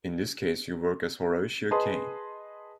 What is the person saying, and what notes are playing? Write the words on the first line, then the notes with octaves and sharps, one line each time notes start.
In this case you work as Horatio Caine.
G#4 B4 D#5 A5 C6 D#6